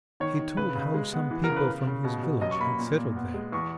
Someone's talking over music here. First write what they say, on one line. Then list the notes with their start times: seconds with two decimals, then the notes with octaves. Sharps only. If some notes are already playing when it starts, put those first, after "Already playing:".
He told how some people from his village had settled there.
0.20 D#3 C#5
0.39 D#3
0.57 C#3 B4
0.75 C#3
0.94 G#3
1.13 B3
1.31 E3
1.44 A#4
1.50 C#3
1.56 B4
1.68 C#3
1.87 C#3
2.05 B2
2.23 B2
2.41 F#2 D#5
2.51 C#6
2.60 A#3 B5
2.79 A#2
2.97 A#2
3.15 B3
3.34 G#3
3.52 E2 C#6